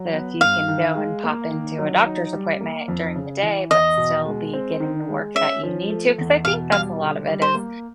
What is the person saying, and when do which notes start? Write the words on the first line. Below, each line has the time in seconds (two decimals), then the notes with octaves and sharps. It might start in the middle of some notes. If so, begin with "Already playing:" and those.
So, if you can go and pop into a doctor's appointment during the day but still be getting the work that you need to 'cause I think that's a lot of it is
Already playing: F#3
0.13 B3
0.40 G2 F5
0.68 D#3
0.95 G#3
1.24 A#3
1.51 D#3
1.79 F#3
2.06 D#4
2.33 G3
2.61 A#3
2.88 F2
3.16 C#3
3.43 E3
3.70 E2 D#5
3.97 B2
4.26 G#3
4.53 C4
4.80 D#3
5.08 G#3
5.35 C#4 E5
5.63 F3
5.90 A3
6.18 E2
6.45 B2 F5
6.72 G3 F5
7.01 D3
7.27 G3
7.42 C5
7.55 A#3